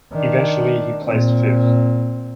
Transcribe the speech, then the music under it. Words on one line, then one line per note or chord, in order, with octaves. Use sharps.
Eventually, he placed fifth.
D#3 D4
A#2 C4